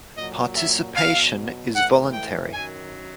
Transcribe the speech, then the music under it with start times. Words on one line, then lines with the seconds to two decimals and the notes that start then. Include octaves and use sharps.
Participation is voluntary.
0.16 A#2 F#3 D#5
0.56 E5
0.95 B2 F#3 F5
1.74 A2 E3 F#5
2.13 G5
2.53 F#2 D#3 F#3 G#5